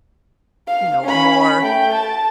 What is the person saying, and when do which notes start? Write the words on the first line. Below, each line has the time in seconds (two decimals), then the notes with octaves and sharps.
you know, a more
0.67 F5
1.04 C#4 B5
1.61 A3 G5
1.94 A5